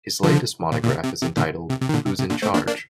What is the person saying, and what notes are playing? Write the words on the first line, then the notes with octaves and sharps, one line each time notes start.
His latest monograph is entitled Who's in Charge?
D3 F3
A#2
A#2
C3
C3
C3
A#2 D3
C3
C3
D#3
A#2 D3
C3
C3
A#2 D3
A3 C4
A#3 D4
A#3 D4